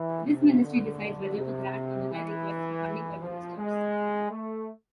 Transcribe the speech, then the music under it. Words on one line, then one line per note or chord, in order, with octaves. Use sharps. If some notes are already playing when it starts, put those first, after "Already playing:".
This ministry decides whether to grant or deny requests for funding by ministers.
Already playing: E3
C3
D3
C3
E3
F3
G#3
A3